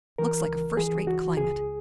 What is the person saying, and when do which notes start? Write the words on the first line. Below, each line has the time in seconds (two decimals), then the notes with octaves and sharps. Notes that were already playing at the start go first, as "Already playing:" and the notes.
Looks like a first-rate climate.
0.18 E3 A#4
0.48 C#2
0.77 E3 G#4
1.07 C#2 F#4
1.37 C#2 G#4